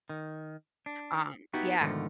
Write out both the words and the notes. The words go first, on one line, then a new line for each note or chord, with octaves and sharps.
um yeah.
D#3
D4
B3 D#4 E4 F#4 G4
G#2 B2 D3 D#3 F3 A3